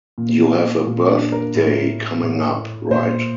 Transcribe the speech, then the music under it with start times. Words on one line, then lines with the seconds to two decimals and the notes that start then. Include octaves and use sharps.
You have a birthday coming up, right?
0.18 A#2
0.86 A#2
1.10 D4
1.32 A#4
1.55 A2
2.22 A2
2.91 A#2 C5